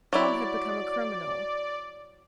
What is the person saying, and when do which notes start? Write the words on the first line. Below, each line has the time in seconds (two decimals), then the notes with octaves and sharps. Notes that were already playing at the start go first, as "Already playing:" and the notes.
Tom had become a criminal.
0.13 F#3 E4 D5